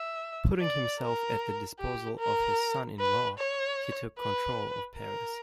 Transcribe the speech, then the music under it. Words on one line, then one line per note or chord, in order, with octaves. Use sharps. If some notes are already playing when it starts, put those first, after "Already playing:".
Putting himself at the disposal of his son-in-law, he took control of Paris.
Already playing: E5
D5
A#4
G4
A#4
B4
C#5
B4
A#4